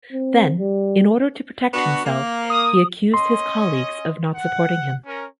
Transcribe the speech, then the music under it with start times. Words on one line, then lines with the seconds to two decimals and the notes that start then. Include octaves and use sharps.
Then, in order to protect himself, he accused his colleagues of not supporting him.
0.12 C4
0.59 G3
1.73 B3 D4 F#4
2.05 A#3
2.50 D#6
3.14 C#4 D#5 C6
4.35 F#5
5.06 C#4 A#4